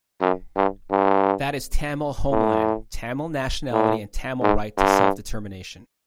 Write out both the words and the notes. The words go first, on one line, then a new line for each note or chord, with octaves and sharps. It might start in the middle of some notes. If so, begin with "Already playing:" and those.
That is Tamil homeland, Tamil nationality and Tamil right to self-determination.
F#2
G2
G2
A2
A2
G#2
G2